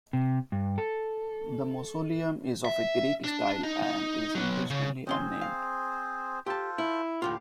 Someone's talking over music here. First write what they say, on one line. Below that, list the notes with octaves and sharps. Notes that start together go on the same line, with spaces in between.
The mausoleum is of a Greek style and is intentionally unnamed.
C3
G2
A4
E5
D4
D#4
D#4
F#3 B3
C#3
C#2 C4 C#4 G#4 C5 C6
F5
F4 G4 A4 C5 A5
E4
D2 A2 F4 G4